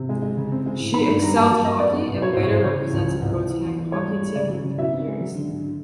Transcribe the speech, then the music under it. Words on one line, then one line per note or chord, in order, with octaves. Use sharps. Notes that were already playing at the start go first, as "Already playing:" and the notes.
She excelled hockey and later represented Gauteng hockey team for three years.
Already playing: C3
G#3
G#3
C#3
C4
G#3
A2
D#3 B5
G2
G3 A#5
A#3 A5
F#3 A5
F#2 D#5
B3 D5
B3
C2
B2 C#5
C5
C2
C#5
C2 C5
C#3 C#5
E3
C#2
F3
C2
C2
E3
E2
E3
G3 C#5
G3
G3
C#3 D5
F#3
C#3
B2 E5
C4
G#3
F#3
D3
D3